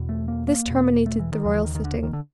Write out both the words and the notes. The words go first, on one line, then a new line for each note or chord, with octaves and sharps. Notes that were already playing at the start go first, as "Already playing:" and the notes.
This terminated the royal sitting.
Already playing: E2 B2
A3
A#3
A#3
E2 B2
A3
E3
D#3
D#2 C#3 F3
E3
D#3
D#3
D3
D#3
D3